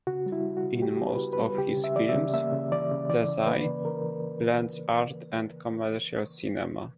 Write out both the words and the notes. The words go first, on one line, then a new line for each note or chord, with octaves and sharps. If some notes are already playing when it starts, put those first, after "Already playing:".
In most of his films, Desai blends art and commercial cinema.
C#3 F#4
G3
E4
G3
F#4
C#3
C#3 G4
B3
B4
C#3
B4
G3
C#3 G4
C#3
E5
E3 D5
E5
C#3
A#3 E5
C#3
E3 D5
C#3
E3 D5
C#3
A#3 B4
C#3
E3 A#4
E3